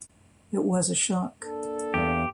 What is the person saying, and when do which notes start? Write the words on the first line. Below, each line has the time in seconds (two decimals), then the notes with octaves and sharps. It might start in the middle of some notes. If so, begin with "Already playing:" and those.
It was a shock.
1.43 A#3 D4 A4
1.94 E2 G4 F5